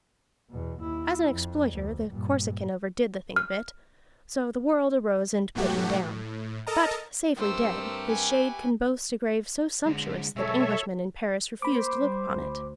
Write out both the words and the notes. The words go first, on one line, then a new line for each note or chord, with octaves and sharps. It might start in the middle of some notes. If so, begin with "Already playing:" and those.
As an exploiter, the Corsican overdid the thing a bit--so the world arose and put him down; but safely dead, his shade can boast a grave so sumptuous that Englishmen in Paris refuse to look upon it.
E2 B2
D#2 E4
F2
D2
G2 A#2
F6
G#2 B2 F#3 A3 F#4 G4
A2
A4 A#4 D#5 A5 A#5
G2 A3 C4 G4 A#4 C5 E6
B4 G#5
D3 G#3
B1 G#3 A4 C#5 E5
A#3 C5 B5 D6
G3
D2